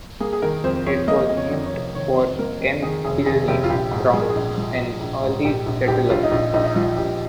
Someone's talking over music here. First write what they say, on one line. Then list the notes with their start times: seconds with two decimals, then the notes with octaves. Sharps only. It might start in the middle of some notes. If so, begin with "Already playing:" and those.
It was named for M. Pliny Brown, an early settler.
0.20 A#3 G#4
0.33 G#4
0.42 D#3 A#4
0.64 F2 C5
0.86 F2 C#5
1.08 A#3 D#5
1.29 F2 D#5
1.37 C#5
1.51 F2
1.66 C#5
1.73 F1
1.95 D#3 C#5
2.17 F2
2.39 A#3 A#4
2.61 F2
2.82 D#3 G#4
3.04 F1 G#4
3.26 D#3 G#4
3.48 F1 G4
3.64 F4
3.70 A#1 G4
3.91 G#2
4.13 F3 G#4
4.21 A#4
4.29 G#4
4.35 A#1
4.58 F3
4.79 G#2
5.01 A#1
5.23 G#2
5.45 A#1 G4
5.66 A#1
5.88 A#1 G4
6.10 A#1 F4
6.23 D#4
6.32 A#1 F4
6.54 A#1 D#4
6.66 D#4
6.75 F3 F4
6.97 A#1 G4